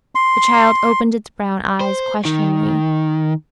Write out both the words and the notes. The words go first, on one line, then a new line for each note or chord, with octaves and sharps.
The child opened its brown eyes questioningly.
C6
C5
D#3